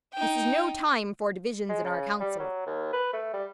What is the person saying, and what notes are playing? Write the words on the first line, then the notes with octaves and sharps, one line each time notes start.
This is no time for divisions in our councils.
D#4 G5
G#3
C#3
G3
F#3
D#2
B4
A3
G3